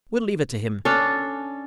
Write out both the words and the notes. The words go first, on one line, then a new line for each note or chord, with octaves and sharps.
We'll leave it to him.
C#4 D4 A4